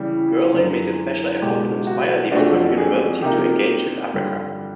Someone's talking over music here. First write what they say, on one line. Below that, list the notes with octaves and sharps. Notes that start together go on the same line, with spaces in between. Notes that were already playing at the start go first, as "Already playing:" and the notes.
Gourley made a special effort to inspire the Open University to engage with Africa.
Already playing: C#3 E3 G3
F#2 D3 F3
C#2 B2 G#3 G4
F#4
F2 C3 F3 A3 D4 F#4
G#4
C3 F3 A#3 D#4 G4
G2 D3 G3